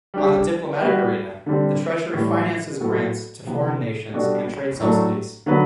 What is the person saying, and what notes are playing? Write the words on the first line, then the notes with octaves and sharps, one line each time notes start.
On the Diplomatic arena the treasury finances grants to foreign nations and trade subsidies.
G3 D4 G4
G3 B3 F#4
D3 G3 C4
A2 E3 G3
A2 F#3 B3 F#4 A4
C3 E3 B3
B2 G3 D4 F#4 A4
A2 F#3 A3 D4 A4
D3 F#3 B3 F#4 B4